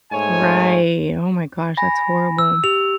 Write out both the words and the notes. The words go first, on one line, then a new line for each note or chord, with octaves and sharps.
Right, oh my gosh, that's horrible.
G#2 A3 C#5 G#5
G#5 B5 A#6
E6
G4 F7